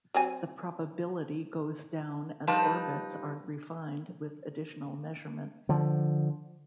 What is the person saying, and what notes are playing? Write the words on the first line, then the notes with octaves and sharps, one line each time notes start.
The probability goes down as orbits are refined with additional measurements.
F#3 C4 G#5
F3 G3 D#4 B4 A5
D3 F3